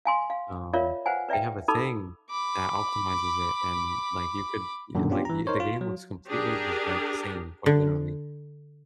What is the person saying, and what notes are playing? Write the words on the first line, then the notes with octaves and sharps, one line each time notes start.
um, they have a thing that optimizes it, and, like, you could, y like, y the game looks completely just like, the same, quite literally,
F5 G#5 C6
F5
F4 A#4 C#5 D5 E5 F5
B4 C5 F5 F#5 G#5
B4 D5 E5 F5 G5
D#4 A4 B5 D6 E6
B5 D6
F#2 A#2 D3 D#3
B3 C#4 D4 F4 G4
E3 A#5
D#4 A#4 C5 C#5
F4
F#3
D4 G4 G#4 A#4
D3